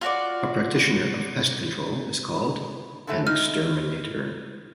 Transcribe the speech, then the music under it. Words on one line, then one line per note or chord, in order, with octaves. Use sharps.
A practitioner of pest control is called an exterminator.
F4 F#4 C#5 D5
D3 E3 A3
D#4 F6